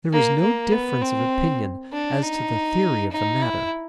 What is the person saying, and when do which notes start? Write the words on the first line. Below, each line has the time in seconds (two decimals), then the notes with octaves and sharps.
There is no difference of opinion as to the theory of the matter.
0.12 A#3
0.41 A#3
0.72 B3
1.01 C4
1.92 D4
2.22 D#4
3.12 D#4
3.41 E4